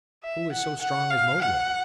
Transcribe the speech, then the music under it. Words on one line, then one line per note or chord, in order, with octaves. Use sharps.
Who is so strong as Mowgli?
E5
F#5
F#5
F5
F#5